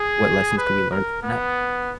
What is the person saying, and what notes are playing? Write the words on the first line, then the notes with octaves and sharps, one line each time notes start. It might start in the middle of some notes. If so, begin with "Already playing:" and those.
what lessons could we learn from that?
Already playing: G#4
B4
A#4
B3